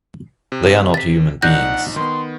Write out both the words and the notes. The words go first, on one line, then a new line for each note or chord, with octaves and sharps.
They are not human beings.
C3
A6 B6
A#1 D#4 D5 F#5 F#6 G6 A#6
D#3 B3 C6